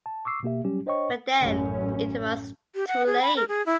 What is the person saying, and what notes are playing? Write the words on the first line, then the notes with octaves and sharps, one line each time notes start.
But then it was too late.
A5
C#6 D6 E6 C7
B2 A#3 G4 E5
F#3 G3 C#4 G4
D4 C5 C#5 D#5 G5 C#6
A1 F#2 C#4
G4
F#5
G#4
B5
A#4
G#4
E4